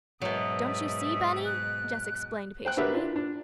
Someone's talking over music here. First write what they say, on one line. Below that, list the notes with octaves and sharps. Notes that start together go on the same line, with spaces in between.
"Don't you see, Benny?" Jess explained patiently.
G#2 B2 F#3 E5 D#6
F#6
C5 G5 F#6
D4 F#4 G4 A#4 B4 E5
D4 E4 F4
D4